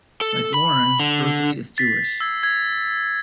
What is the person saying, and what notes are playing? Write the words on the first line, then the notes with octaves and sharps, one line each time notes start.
Like Lauren, Berkley is Jewish.
A4
B5
D3
A6 B6 C7
E6 G#6
G#6